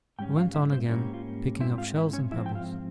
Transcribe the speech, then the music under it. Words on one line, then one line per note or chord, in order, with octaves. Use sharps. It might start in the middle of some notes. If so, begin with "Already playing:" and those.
We went on again, picking up shells and pebbles.
G#2 G3 C#4 G5
F4 F5
E4 E5
C4 C5
G#2 G3 A#3 C#4 E4
F4
G#2 F3 C4 E4 E5
F4 F5
E4 E5
C#4 C#5
G#2 F3 C4 E4 E5
G5
F4 F5